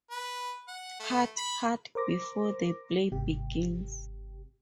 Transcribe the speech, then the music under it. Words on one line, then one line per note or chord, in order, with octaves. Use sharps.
Hut, hut.. before the play begins.
B4
F#5
A3
B5
A#4 C5 D6 A#6
G1 G#2 C3 G4